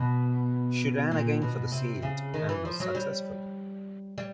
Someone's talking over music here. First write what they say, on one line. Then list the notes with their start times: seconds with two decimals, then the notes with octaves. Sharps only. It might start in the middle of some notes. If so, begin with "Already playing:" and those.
She ran again for the seat, and was successful.
Already playing: B2
1.11 A#2
1.42 B2
1.72 C3
2.03 C#3
2.34 D#3
2.49 E3
2.65 F3
2.80 F#3
2.95 G3
4.18 G3